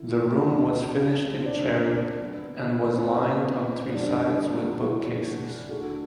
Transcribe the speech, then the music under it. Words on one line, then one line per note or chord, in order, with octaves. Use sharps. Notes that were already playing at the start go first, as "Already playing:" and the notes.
The room was finished in cherry and was lined on three sides with bookcases.
Already playing: D3 E4
D2 D3 F#3 A3 D4
C4
D4
C4
D3 F#3 B3
C4
B3
C4
F#2 D3 G3 B3 D4
F#4
E4
D2 D3 A3 D4 F#4